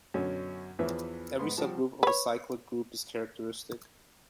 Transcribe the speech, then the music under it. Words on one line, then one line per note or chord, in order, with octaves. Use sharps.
Every subgroup of a cyclic group is characteristic.
F#2 B2 D3 C#4
E2 E3 F3 B4 C#5 E5
G#2 B3 C6
F3 G3 F#4 A5
B4 C#5